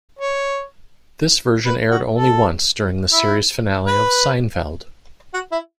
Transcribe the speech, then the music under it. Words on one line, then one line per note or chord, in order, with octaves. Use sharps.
This version aired only once, during the series finale of "Seinfeld".
C#5
B4
F#4
A4
E4
B4
F#4
E4